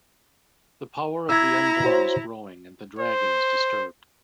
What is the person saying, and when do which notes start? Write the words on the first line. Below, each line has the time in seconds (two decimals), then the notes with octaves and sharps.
The power of the Unborn is growing and the dragon is disturbed.
1.29 E4 A#5 E6 G#6
1.84 F#4 C5 C#5
2.99 C5